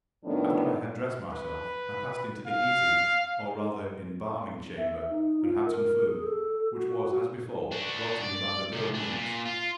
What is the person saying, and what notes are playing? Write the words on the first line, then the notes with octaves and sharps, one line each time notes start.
After I had dressed myself I passed into the eating, or rather embalming chamber, and had some food, which was as before brought to me by the girl mutes.
F2 A2 D#3 B3 D4
B4
F5
E5
E5
D#4
F4
A#4
G#4
A4
F#4
F#4
D4 F#4
D5
C3 F3
E3 D4
A#2
F4